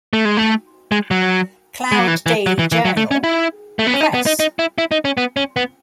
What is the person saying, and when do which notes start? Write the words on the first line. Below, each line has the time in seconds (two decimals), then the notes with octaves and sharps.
Cloud Daily Journal-Press.
0.13 A3
0.25 G#3
0.37 A3
0.92 G#3
1.11 F#3
1.92 G#3
1.99 F#3
2.08 E3
2.26 E3
2.46 F#3
2.59 E3
2.72 E3
2.85 F#3
2.97 A3
3.11 C#4
3.24 E4
3.79 A3
3.87 B3
3.94 C#4
4.01 D#4
4.14 B3
4.26 D#4
4.40 D#4
4.59 E4
4.78 E4
4.91 D#4
5.05 C#4
5.17 B3
5.37 C#4
5.56 B3